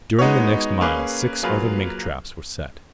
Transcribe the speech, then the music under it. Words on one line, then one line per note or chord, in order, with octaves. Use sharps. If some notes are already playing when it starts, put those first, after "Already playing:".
During the next mile six other mink traps were set.
G#3 B3 D#4 F#4 C#5
A#3 C#4 G#4 B4
F#3 A#3 F4 G#4 B4